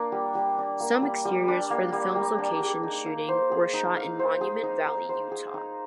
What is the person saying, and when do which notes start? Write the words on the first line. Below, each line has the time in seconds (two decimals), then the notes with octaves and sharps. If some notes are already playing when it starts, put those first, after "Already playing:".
Some exteriors for the film's location shooting were shot in Monument Valley, Utah.
Already playing: A#3 D4
0.12 G3
0.35 G3
0.58 D4
0.80 A#3
1.02 G3
1.25 G3
1.48 D4
1.70 A#3
1.93 G3
2.16 G3
2.38 D4
2.60 G#4
2.83 D#4
3.06 F5
3.29 C5
3.52 G#4
3.74 D#4
3.97 F5
4.19 C5
4.41 G#4
4.63 D#4
4.86 F5
5.09 C5
5.31 G#4
5.54 D#4